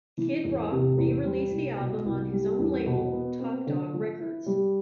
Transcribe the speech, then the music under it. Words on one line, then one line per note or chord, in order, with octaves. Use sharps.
Kid Rock re-released the album on his own label, Top Dog Records.
E3
E2
C3
E2
G3
C2
B2
C2
G3
E2
B2
B3
C4
D3
F3
E4
G3